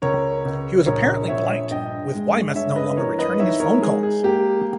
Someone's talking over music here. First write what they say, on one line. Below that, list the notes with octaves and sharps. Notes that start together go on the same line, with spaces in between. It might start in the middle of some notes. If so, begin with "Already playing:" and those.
He was apparently blanked, with Weymouth no longer returning his phone calls.
C#2 A#4 C#5
C#2
A#1 A#4 C#5
A#1 C#5 E5
G2 D#5 G5
G#3
G2 C#5 E5
B4 D#5
E3 A#4 C#5
B4 D#5
D#4 C#5 E5
A#4 C#5
G#3 G#4
G#4
A#3 G4